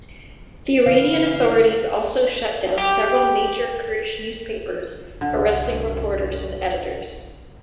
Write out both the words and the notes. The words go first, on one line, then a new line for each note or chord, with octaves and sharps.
The Iranian authorities also shut down several major Kurdish newspapers arresting reporters and editors.
C#3 E3 F5
G4
C2 F#2 D3